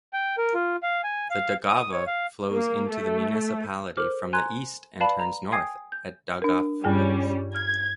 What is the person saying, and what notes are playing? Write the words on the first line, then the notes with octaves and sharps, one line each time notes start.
The Daugava flows into the municipality from the east and turns north at Daugavpils.
G5
A#4
F4
F5
G#5
F5
D#6
C#5
F5
A#3
A3
A4 A#4 C5 D6 F6
G#5 A#5 C6 F#6 G#6
B4 D5 F5 A5 B5
A#5
G5 G#5 D#6 G#6 C7
G6
D4 A#4
G2 G3 C#4 G#4 G5
F6 G#6